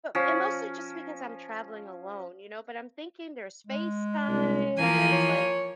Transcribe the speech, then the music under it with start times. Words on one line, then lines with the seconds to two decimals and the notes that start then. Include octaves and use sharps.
but and mostly just because I'm traveling alone, you know, but I'm thinking there's FaceTime, there's like,
0.15 F3 C#4
3.67 G#3
4.28 C2
4.77 E3 F3 A#3 G#5
5.12 C#5